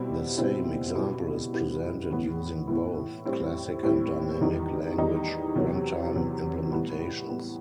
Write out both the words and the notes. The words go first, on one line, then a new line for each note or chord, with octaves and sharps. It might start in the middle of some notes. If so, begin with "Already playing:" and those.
The same example is presented using both classic and Dynamic Language Runtime implementations.
Already playing: B2 G3 C4 E4
B2 G3 C4 E4
B2 G3 B3 E4
B2 G3 B3 E4
A2 E3 B3 E4
A2 E3 B3 E4
A2 G3 C4 E4
A2 G3 C4 E4
E2 D#3 G3 D#4
E2 D#3 G3 D#4
E2 C3 F#3
E2 C3 F#3
A2 G3 B3 E4
A2 G3 B3 E4